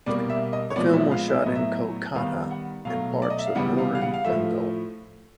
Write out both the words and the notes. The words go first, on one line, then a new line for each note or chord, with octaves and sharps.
The film was shot in Kolkata and parts of North Bengal.
B2 G3 A#3 D5
E5
D#5
C#5
A#2 F3 G#3 B3 D5
E5
F5
E5
A2 F#3 B3 D#5
E5
D#3 G3 B3 F5
F#5
B2 F#3 A3 F5
D5
D#5
E5
F5
C#3 E3 G3 B3 F#5
F5
F5
F#5
F5
A2 F3 A3 E5